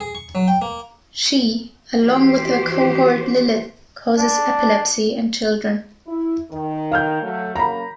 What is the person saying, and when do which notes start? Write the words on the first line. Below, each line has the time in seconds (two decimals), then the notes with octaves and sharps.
She, along with her cohort Lilith, causes epilepsy in children.
0.01 G#4
0.15 C#6
0.35 F#3
0.48 G5
0.62 A#3
2.01 E3 F3 F#4 G4 C5
4.18 D4
6.06 E4
6.51 D#3
6.92 F5 F6 G6
7.22 F#3 A3
7.55 C#3 F#3 A#3 A#5 B5